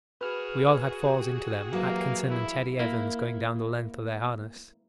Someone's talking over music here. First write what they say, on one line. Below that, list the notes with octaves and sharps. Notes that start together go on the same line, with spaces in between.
We all had falls into them, Atkinson and Teddy Evans going down the length of their harness.
F#4 G#4 B4 F6
G4 G5
E3 F#3 A#3
E4
A#3 E4